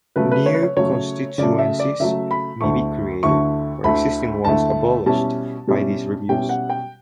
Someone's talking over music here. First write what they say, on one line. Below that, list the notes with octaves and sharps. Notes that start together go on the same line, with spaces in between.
New constituencies may be created, or existing ones abolished, by these reviews.
C#3 F#3 A3 B4
B4
C#5
B4
C#5
C#3 F#3 A3 C#5
C#3 F#3 A3 D5
E5
D5
C#3 F#3 A3 E5
B5
D2 D3 A3 E4 C#6
D2 D3 A3 E4 C#6
D2 D3 A3 E4 B5
D2 D3 A3 E4 A5
B2 G3 C#4 E4 A5
B2 G3 C#4 E4
B2 G3 C#4 E4 G5
F#5
G5